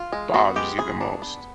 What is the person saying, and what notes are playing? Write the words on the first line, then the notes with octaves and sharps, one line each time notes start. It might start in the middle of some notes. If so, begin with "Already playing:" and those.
bothers you the most?
Already playing: F4
G#3
B3 F#4
G#3 G4
E3 G#4
D4
B3